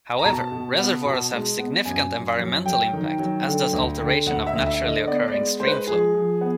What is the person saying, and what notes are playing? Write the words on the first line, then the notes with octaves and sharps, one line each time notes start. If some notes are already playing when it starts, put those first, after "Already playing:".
However reservoirs have significant environmental impact, as does alteration of naturally occurring stream flow.
A#5
B2 A5
B2
B3
B2
G#3
B3
F#2 G#5
F#2
F#3
F#3 G5
D#3
F#3
D3
D2
D3
D2 F#5
E5
D2
E5
D3
D#5
B3 D5
D5
G#3
G#3 C5
B4
F3 G#4
F3
B3